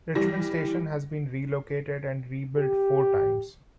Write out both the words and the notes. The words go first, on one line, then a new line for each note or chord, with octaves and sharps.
Richmond station has been relocated and rebuilt four times.
E3 G3 A#6
G4